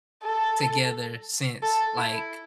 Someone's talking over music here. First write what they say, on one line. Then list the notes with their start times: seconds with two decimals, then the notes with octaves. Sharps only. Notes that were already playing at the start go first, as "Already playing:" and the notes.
together since, like,
0.23 A4
1.63 A4
1.97 E4